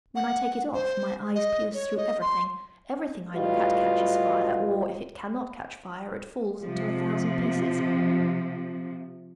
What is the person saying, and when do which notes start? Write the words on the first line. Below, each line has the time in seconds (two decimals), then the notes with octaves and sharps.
When I take it off my eyes pierce through everything. Everything I look at catches fire, or, if it cannot catch fire, it falls into a thousand pieces.
0.16 F#5
0.74 C5
1.35 D#5
1.74 C#5
1.97 D#5
2.21 C6
3.35 A2 G3 F4 F#4 B4 D#5
6.64 C3 F3